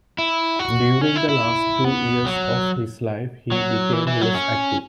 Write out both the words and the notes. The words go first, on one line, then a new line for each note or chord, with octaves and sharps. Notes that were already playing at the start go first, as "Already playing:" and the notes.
During the last two years of his life, he became less active.
E4
F#4
C#4
E4
E4
B3
F#3
F#3
E3
E3
F#3
C#4